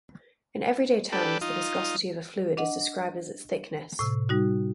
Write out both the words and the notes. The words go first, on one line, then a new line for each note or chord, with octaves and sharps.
In everyday terms, the viscosity of a fluid is described as its "thickness".
D4 G4 A4 B4
D#4 F4
D4 D#5 F#5
A2 C3
G3 D#4 F#4